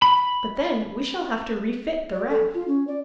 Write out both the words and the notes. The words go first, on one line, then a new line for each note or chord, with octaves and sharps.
"But then we shall have to refit the raft."
B5
D5
A4
F4
C#4
D5